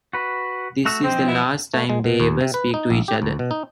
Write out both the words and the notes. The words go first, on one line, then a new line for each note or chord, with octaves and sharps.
This is the last time they ever speak to each other.
F#4 B4
A3 F#4 E6
F3 C4 D#5
B3 E4
A3
G#3
B2
D#2
C3
B4
D#4
A#1
G4
D2
B2
D#4